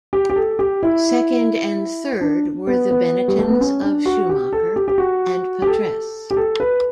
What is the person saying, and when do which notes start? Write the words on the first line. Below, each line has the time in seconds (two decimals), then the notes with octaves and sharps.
Second and third were the Benettons of Schumacher and Patrese.
0.13 G4
0.30 G4
0.36 A4
0.59 G4
0.83 E4
2.21 D4
2.67 B3
2.91 B3
3.28 G3
3.39 A3
3.50 B3
3.61 C#4
3.82 D4
4.06 F#4
4.29 G4
4.53 A4
4.76 G4
4.88 G4
4.98 F#4
5.62 G4
5.67 A4
6.31 G4
6.37 A4
6.60 B4